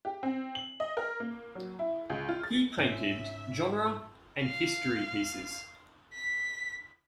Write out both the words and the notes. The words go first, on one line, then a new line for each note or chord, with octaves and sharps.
He painted genre and history pieces.
G4
C4
F#7
D#5
A#4
A#3
F#3
E4
C#2
F4
A6
G#2 C#4 E5
F5
B6